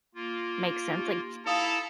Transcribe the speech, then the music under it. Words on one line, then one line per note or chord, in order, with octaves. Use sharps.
Makes sense, like,
A#3 F4
D#4 G4
D#4 E4 A4 F5 A5 A#5 D#6